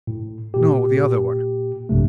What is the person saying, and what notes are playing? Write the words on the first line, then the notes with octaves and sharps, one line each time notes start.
"No, the other one."
A2
A#2 G4
A#1 G2 C3 A3